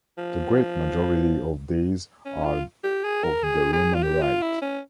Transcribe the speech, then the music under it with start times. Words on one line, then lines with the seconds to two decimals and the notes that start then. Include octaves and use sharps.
The great majority of these are of the Roman Rite.
0.18 F3
2.25 C#4
2.45 F4
2.84 G4
3.04 G#4
3.24 A#4
3.43 G#4
3.73 G#4
3.95 F4
4.03 G4
4.22 F4
4.42 E4
4.62 C#4